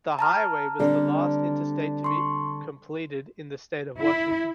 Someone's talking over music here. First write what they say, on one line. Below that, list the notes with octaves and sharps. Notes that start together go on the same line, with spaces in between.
The highway was the last Interstate to be completed in the state of Washington.
A5 A#5 F6
D3 G3 C4
C6 C#6
E4